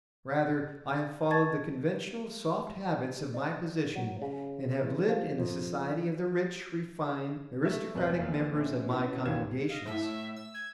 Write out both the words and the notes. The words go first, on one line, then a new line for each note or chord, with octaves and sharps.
Rather, I have followed the conventional soft habits of my position and have lived in the society of the rich, refined, aristocratic members of my congregations.
A5 C#6 G#6 A6
D5
F#3
C#3
E2
F3
F2
A3 E5 E6
F1 F#2 C3 B3 D#5 F#6
F#1 E2
A#1 C#4
B3 C#4 E4 F#4
G#1 D#2 E3 G4 G#6 E7
D#5 F5
A2 E5
E6
G#6